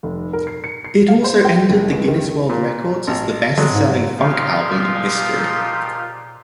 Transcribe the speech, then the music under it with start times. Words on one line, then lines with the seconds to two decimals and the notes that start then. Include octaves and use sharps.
It also entered the Guinness World Records as the best-selling funk album in history.
0.03 F1
0.33 A#4
0.47 C7
0.64 C#7
0.84 C7
1.08 F5
1.24 C5
1.45 G5
1.70 F#1
1.92 C#2
2.08 D#3
2.49 A#2
3.07 A1
3.58 D3 F#3 G#3
3.72 G#2
4.18 C#2 A#2 F3 D#4 F4 G4